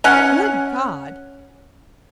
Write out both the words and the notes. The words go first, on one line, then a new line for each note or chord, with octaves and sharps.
"Good God!"
C#4 F#5